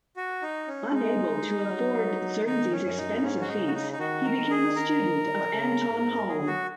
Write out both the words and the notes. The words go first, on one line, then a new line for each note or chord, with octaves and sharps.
Unable to afford Czerny's expensive fees, he became a student of Anton Halm.
F#4
D#4
C#4
G#3 D#4
F#3
D#3 D#4
C#4
F#2
D#4
G#2 C#4
F#4
D#4
C#3
F#4
D#4
D#4
D#3 F#4
A#4
D#3
G#4
A#4
C#3
G#2
F#3 G#4
F#4